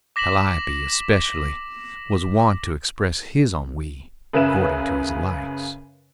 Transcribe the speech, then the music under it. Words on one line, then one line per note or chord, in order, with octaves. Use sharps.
Calliope, especially, was wont to express his ennui according to his lights.
D6 A#6 B6 E7 F#7
F#2 C#3 B4 E5 E7